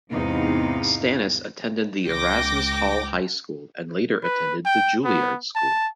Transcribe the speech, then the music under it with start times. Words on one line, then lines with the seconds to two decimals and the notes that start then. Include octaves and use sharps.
Stanis attended Erasmus Hall High School and later attended the Juilliard School.
0.11 E2 G#2 C3 B3 D#4 F5
2.07 C#2 G5 D6 A#6
4.23 B4
4.65 G5
5.05 B3
5.56 A5